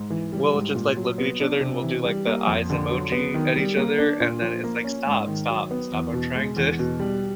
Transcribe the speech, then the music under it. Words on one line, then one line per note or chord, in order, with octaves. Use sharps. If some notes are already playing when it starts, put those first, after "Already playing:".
We'll just, like look at each other, and we'll do like, the eyes emoji at each other, and then it's like, "Stop, stop, stop. I'm trying to"
Already playing: G#2
E3
G3
G#2
A#2
F#3
B3
D4
C3
E3
G3
A#3
F2
D3
F#3
B3
D#3
G3
A#3
D4
A#2
F3
A#3
C#4
G#2
D#3
F#3
B3
E2
B2
G#3
E2
B2
G3